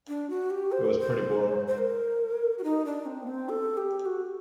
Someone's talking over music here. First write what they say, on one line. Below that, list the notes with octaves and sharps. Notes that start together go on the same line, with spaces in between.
It was pretty boring.
D4
F#4
G4
C5
A#4
C5
C5
A#4
F#4
D#4
D4
C4
A#3
C4
A4
G4
F#4